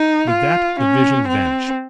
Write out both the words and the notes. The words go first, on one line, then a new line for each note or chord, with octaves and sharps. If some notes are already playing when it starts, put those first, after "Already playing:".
With that the vision vanished.
Already playing: D#4
F4
C#4
C4